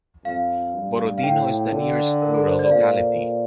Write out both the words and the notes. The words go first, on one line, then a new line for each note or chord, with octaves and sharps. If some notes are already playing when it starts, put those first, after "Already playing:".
Borodino is the nearest rural locality.
F2 F5
G2
F5
A2 G5
D3
A#4
A4
C5
D5
A#2 F5